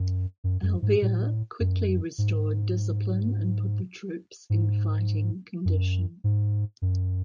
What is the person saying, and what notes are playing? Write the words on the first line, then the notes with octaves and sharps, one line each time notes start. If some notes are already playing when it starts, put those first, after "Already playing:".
Alvear quickly restored discipline and put the troops in fighting condition.
Already playing: F#2
F#2
F#2
G#2
A2
F#2
G#2
G#2
F#2
G#2
F#2